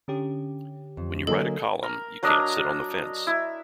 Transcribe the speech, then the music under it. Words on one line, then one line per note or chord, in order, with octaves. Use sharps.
When you write a column, you can't sit on the fence.
D3 C#4 G4
F2
D3 F#3 A#3 A4 D#5 G#5
A#4
F#3 D4 A#4 D#5
E4